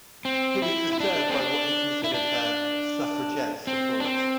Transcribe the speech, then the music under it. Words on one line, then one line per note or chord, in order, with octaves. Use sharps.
He was disturbed by what he considered her suffragette support.
C4
E4
E4
D4
C4
D4
E4
D4
C4
D4
C4